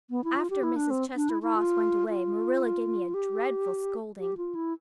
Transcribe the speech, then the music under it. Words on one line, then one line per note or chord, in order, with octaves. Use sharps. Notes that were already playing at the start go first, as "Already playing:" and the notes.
After Mrs. Chester Ross went away, Marilla gave me a dreadful scolding.
B3
E4
F4
G4
E4
D4
C4
D4
E4
E4
F4
F4
G4
G4
F4
E4